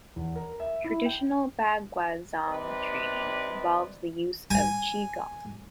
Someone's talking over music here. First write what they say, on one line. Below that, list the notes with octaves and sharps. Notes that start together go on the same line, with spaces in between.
Traditional Baguazhang training involves the use of qinggong.
E2
A#4
E5
E4
G5
C3 D#3 G3 B4 D5 D#5
G#5